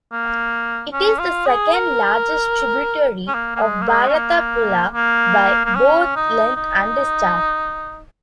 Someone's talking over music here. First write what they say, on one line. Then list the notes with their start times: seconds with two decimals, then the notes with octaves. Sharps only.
It is the second largest tributary of Bharathapuzha, by both length and discharge.
0.12 A#3
0.93 C#4
1.19 F4
1.46 G#4
1.73 A#4
3.28 C#4
3.34 A#3
3.56 A#3
3.61 G#3
3.81 A#3
3.88 G#3
4.08 C#4
4.15 A#3
4.94 A#3
5.65 A#3
5.76 C#4
6.16 D#4
6.55 D#4